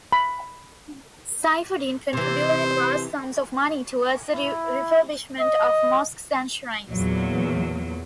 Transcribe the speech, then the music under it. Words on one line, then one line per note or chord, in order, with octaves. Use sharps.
Saifuddin contributed vast sums of money to towards the refurbishment of mosques and shrines.
B5
C3 E3 C5
E4
D#5
E2 A#2 F#3